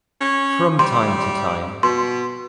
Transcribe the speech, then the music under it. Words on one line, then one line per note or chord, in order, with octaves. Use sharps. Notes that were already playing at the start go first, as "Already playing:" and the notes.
From time to time.
C#4
G3 C6
B2 C6